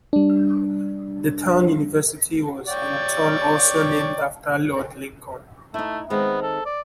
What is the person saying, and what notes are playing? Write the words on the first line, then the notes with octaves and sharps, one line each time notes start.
The town's university was in turn also named after Lord Lincoln.
G3 D4
C#5 D5 G5
A3 D#4 E4
D#3 G#3 B3 C4
A4
D5